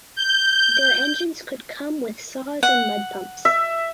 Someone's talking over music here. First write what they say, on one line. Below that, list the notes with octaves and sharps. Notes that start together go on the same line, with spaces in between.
Their engines could come with saws and mud pumps.
G6
F#5
E5